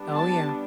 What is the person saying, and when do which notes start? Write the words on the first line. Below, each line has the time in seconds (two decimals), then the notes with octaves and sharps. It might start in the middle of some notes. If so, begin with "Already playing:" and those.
Oh, yeah.
Already playing: G3 B3 D4
0.14 A5